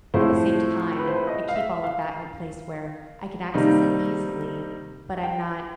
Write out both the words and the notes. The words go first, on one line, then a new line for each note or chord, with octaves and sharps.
at the same time, I keep all of that in a place where I can access it easily, but I'm not
A2 F3 G#3 C4 E4 C5
B4
C5
B4
D#5
F5
E5
F5
C3 D#3 G3 A#3 D#4
G5